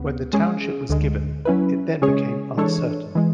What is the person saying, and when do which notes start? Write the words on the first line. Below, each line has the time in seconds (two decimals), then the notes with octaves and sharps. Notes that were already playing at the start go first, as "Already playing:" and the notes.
When the township was given, it then became "Uncertain".
Already playing: D2 C#3 B3
0.33 G#3 C#4 G#4
0.89 D2 D3 G#3
1.45 F#3 C#4 E4 B4
2.02 C#3 G#3 C#4 G#4 C#5
2.57 E3 G#3 D4 A4 C#5
3.15 E3 G#3